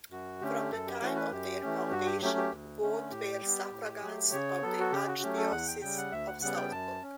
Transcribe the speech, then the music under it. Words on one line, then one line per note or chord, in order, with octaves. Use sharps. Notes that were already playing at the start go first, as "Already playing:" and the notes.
From the time of their foundation both were suffragans of the Archdiocese of Salzburg.
F#2 F#4
D3 A3 C#4 G4
F#2 A4
G4
E3 A3 C#4 F#4
B4
F#2 G4
E3 A3 C#4
G2 F#4
G4
F#3 A3 C#4 G4
G4
D2
D3 A3 C#4
A2 G4
G3 B3
A2
F#3 A3
C#3 C#5
F#3 B3 A4
F#4
C#3 G4
F#4
F#3 A3 C#4 G4
A4
E2 F#5
G5
C#3 G3 G5
F#5
D2 E5
F#5
C#3 G3 B3 F#5
G5
F#2 A5
C#4